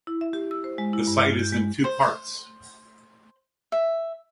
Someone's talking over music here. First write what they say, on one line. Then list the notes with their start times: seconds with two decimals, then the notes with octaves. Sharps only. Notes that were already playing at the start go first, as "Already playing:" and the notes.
The site is in two parts.
0.07 E4
0.21 E5
0.33 G4
0.51 E6
0.64 C5
0.78 G#3
0.93 E4
1.07 G2
1.19 F6
1.39 G6
1.52 G#3
1.84 C5
3.72 E5